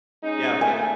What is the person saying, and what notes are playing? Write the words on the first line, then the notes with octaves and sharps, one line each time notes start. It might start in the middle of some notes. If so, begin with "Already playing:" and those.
yeah, but
G#3 C#4 D#4
D#2 A#2 A3 G#5